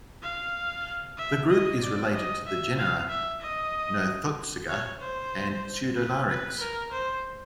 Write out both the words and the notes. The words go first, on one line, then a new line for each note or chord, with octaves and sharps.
The group is related to the genera "Nothotsuga" and "Pseudolarix".
F5
E5
D#5
D5
D#5
E5
F5
E5
D#5
C#5
C5
B4
B4
A#4
C5